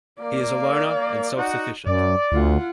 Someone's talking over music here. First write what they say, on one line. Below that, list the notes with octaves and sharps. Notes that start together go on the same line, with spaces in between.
He is a loner and self-sufficient.
A#3 D5
D#4 F#4 F#5
F#2 D5
D2 F4 F#5